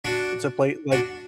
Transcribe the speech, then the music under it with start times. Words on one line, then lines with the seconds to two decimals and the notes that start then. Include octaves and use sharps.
to play, like,
0.05 D4 F#4
0.92 D4 F#4